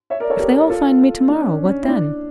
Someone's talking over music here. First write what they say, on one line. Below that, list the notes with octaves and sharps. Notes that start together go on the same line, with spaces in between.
If they all find me to-morrow, what then?
C#5 E5
A#4 D5
A4 C#5
G4 A#4
F4 A4
D4
C#4
C#4
E4
D4